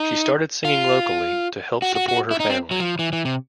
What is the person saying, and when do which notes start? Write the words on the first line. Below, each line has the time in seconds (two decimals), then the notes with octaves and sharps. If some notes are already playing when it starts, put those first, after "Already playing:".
She started singing locally to help support her family.
Already playing: D#4
0.65 F4
1.82 F#4
1.95 F#4
2.08 F#4
2.31 E4
2.40 D#4
2.50 C4
2.71 F#3
2.80 F3
2.99 E3
3.13 E3
3.25 C3